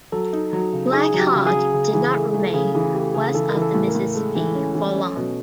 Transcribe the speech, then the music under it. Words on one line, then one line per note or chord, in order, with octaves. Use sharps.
Black Hawk did not remain west of the Mississippi for long.
F#3 A4
D#4
F#3
C#3
D#4 G#4
F#3
G4
C#3
G#4
F#3
C#3
E3
A3
A3
C#3 G#4
E3 G#4
A3 G4
C#3 G#4
E3 A4
A#4
E3
A4
A2
A#4
A2
G#3 A4
E3
C#4
E3
C#4
B2